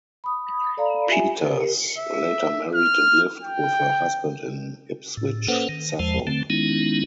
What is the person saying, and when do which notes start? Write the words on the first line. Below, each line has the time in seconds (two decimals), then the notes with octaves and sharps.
Peters later married and lived with her husband in Ipswich, Suffolk.
0.24 B5 D#6
0.77 A4 D5 F5 A#5 B5
1.07 F4 G4 E5 G#5
1.38 G4 A#4
1.98 E5
2.75 F6
3.42 G5
5.17 A2
5.48 A#3 C#4 A4 B4 C5 F#5
5.69 D#3
5.99 E2 F3 G#3 C5 A5
6.27 D3 A3 C4
6.50 D#3 G#3 B3 C#4 D#4 E4